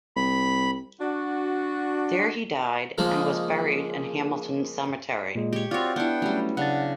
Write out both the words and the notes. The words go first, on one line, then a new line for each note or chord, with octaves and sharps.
There he died and was buried in Hamilton cemetery.
C2 B5
D4 F#4
C#3 F3 G#3 A#3 D#4
A#2 G#3
G4 C#5
C4 F4 F#4 C#5 D5 F6
B3 D4 E4 F#5 G5
F#3 G3 A3 C#4
C#3 D4 F#5 A6